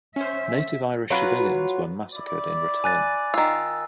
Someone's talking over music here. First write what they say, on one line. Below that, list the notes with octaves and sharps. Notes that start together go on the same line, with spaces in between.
Native Irish civilians were massacred in return.
C#4 C5 E5
F#3 F4 F#4 B4
E4 D5
G#5 F#6 A6
D#3 F4 E6